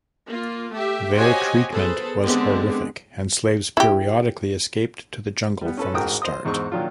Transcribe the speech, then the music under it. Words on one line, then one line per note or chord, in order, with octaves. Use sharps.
Their treatment was horrific, and slaves periodically escaped to the jungle from the start.
A#3 F4
A3 G4 E5
F#4 G4 C5 C#5 D#5 G#5
B3 G#4 A4 B4 C5
D3 G#3 B3 C4 G4
E4 G4
G3 B3
C#4 A4 B4
A1 G#2 F#4 A#4 G5 D#6
C5 D#5 D#6
E2 G#2 D#4 C5 C#6 E6
A#2 D#3 F#3 D4 F4